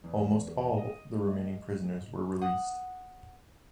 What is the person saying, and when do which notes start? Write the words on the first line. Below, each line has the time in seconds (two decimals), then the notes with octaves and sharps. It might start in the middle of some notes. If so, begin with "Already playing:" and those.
Almost all the remaining prisoners were released.
0.04 E2
0.78 D#5
2.42 F#5 D#6